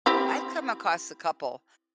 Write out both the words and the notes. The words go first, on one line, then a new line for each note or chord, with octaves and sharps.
I've come across a couple,
C4 E4 G4